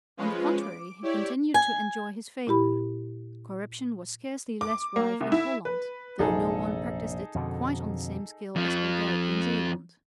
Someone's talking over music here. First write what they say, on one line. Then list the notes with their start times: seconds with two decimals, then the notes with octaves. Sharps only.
On the contrary, he continued to enjoy his favour. Corruption was scarcely less rife in Holland, though no one practised it quite on the same scale as Odijk in Zeeland.
0.17 F3 G#3 C#4 F4 B4
0.58 D6
1.02 E4 G4 C#5 D5
1.54 G#5
2.47 A#2 E4 G4 B5
4.61 D6
4.96 A#3
5.21 C2
5.32 E4
5.65 B4
6.19 A#1 F#2 C3 D#4 G#4 A4
7.35 F2 B2 D3
8.56 F2 F3